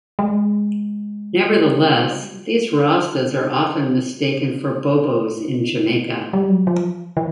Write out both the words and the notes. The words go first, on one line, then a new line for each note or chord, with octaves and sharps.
Nevertheless, these Rastas are often mistaken for Bobos in Jamaica.
G#3
G3
F#3
F3
E3
D#3
D3
C#3
G3
F#3
F3
E3